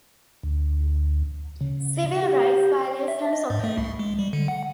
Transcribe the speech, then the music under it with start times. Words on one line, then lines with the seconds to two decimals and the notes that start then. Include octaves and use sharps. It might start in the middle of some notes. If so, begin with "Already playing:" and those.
Civil rights violations occurred.
0.43 D2
1.61 C#3
2.22 G4
3.08 E5
3.33 D#5
3.50 G#2
3.64 A3
3.78 C2
3.99 G#3
4.19 G3
4.33 D3
4.48 F#5